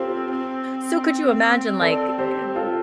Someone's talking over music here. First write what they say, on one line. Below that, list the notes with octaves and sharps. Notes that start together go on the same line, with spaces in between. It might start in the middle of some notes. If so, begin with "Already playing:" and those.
So could you imagine, like, uh,
Already playing: C4 F4 G4 A4 C5
C4
A4 D5
G4 C5
F4 A4